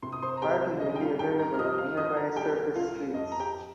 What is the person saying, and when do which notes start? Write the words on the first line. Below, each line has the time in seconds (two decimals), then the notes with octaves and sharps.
Parking will be available on nearby surface streets.
0.02 C3 C6
0.12 D#6
0.23 C5 C6
0.37 A#5
0.42 C2 G4 G5
0.80 G3 D#5
0.95 G5
1.00 F4 F5
1.19 C2 G4 G5
1.39 A#4 A#5
1.54 F6
1.59 F3 D#5 D#6
1.78 F5 F6
1.97 F3 D#5 D#6
2.16 A#4 A#5
2.36 C2 G4 G5
2.75 C2 F4 F5
3.14 F2 D#5
3.32 A#5
3.40 G4 G5